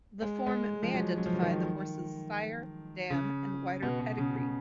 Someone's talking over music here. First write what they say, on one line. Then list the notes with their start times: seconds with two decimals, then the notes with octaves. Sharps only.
The form may identify the horse's sire, dam and wider pedigree.
0.22 G#3
0.47 G#3
0.83 F3
0.94 F#3
1.17 F#3
1.26 F3
1.34 F#3
1.42 D#3
3.10 C#3
3.82 B2
4.00 B2
4.18 C#3
4.36 C#3